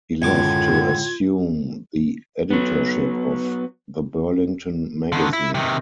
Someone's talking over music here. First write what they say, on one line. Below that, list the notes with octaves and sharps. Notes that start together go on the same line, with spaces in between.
He left to assume the editorship of "The Burlington Magazine".
C#2 F#2 A2 D3 F4 C#6 D6 G#6
F#3 B3
D3 D#3
E4
C3 D#3